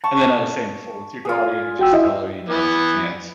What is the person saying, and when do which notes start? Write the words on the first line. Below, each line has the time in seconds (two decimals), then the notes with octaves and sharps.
and then I was saying before with your daughter, you just tell her, you know, she can't
0.04 A5 C#6
1.25 F4 G#4
1.79 F#4 G5 E6
1.93 E4 D#5 E5
2.49 E3 B3